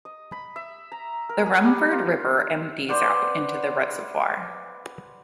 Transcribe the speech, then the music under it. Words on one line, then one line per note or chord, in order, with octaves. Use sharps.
The Rumford River empties out into the reservoir.
D#5
B5
E5
A#5
A#4
G#4
G3
F4
B4 C5 D5 F#5